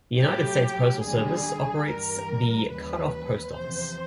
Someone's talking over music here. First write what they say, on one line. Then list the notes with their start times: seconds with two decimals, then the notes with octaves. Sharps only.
The United States Postal Service operates the Cut Off Post Office.
0.17 A2 F#3 G4
1.01 D#2 D3 G3 G#4
1.84 G2 E3 G3 A#4
2.68 D#2 C#3 E3 G3 B4
3.52 E2 C3 F3 C5